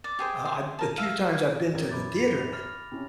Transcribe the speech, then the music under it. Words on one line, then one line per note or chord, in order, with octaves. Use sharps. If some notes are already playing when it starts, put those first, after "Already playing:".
uh, I the few times I've been to the theater,
D5
G4 G#4 C5
C6
A#4 A5
E5 F5
A1 A#4 G#6
F#2 B5 D6 A6
A#6 F7
F6
C3 C#4